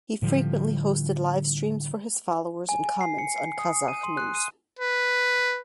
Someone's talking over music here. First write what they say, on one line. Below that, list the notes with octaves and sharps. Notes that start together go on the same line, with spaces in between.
He frequently hosted live streams for his followers and comments on Kazakh news.
A2 D3 F3 G3
G#5
G#5
C7
C#7
C7
D#6
D#7
C6
F#6
D#7
B4